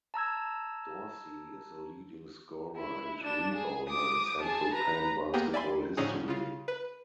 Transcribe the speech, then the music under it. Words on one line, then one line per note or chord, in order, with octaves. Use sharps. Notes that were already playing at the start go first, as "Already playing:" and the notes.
Dorsey is the leading scorer and rebounder in Central Penn basketball history.
A5 A#5 E6 G#6
E4
D4 E7
G#4
D6 D#6
G#4 A5
B4 A#5
A#3 B3 G4 G#4
D5 E5 G#5 B5 C6
A2 D3 F3 C#4 D#4 G#4
C#3 F4
B4